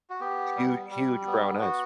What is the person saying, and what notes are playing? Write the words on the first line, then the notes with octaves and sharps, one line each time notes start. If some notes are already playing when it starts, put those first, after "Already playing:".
Hu huge brown eyes.
F#4
B3 G4
G3
G3
B3
F#4